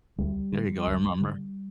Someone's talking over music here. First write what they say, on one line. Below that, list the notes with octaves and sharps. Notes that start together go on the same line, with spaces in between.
there you go. I remember.
D2 G3
D3
D2
D3